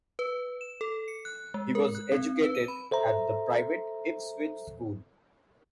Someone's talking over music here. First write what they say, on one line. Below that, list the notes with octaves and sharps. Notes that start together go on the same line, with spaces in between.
He was educated at the private Ipswich School.
B4
E7
A4
C#7
F#6
G#3
A#4
F#6
C4
B4
D#7
B5
A4 C5 E5 A#5